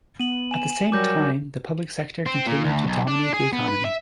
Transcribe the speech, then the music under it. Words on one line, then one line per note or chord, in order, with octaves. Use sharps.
At the same time the public sector continued to dominate the economy.
B3 D#7 F#7
G#5 E7
F#3 G3 A#4 D6 G6 A#6
C4
A#2
D2
B1
D4
G#4
B3
B4
E5